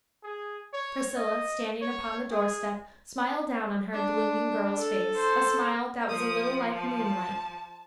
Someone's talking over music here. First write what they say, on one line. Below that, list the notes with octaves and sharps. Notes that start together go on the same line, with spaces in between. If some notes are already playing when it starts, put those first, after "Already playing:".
Priscilla, standing upon the door-step, smiled down on her blooming girl's face, a smile that was a little like moonlight.
G#4
C#5
D#5
C#5
G#4
D4
A4
C5
F3 D#6
A5